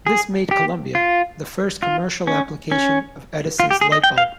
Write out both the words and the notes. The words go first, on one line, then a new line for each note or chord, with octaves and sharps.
This made "Columbia" the first commercial application of Edison's light bulb.
G#4
G4
F4
F4
C#4
C#4
F4
G4
G#4
D#5
G5
F5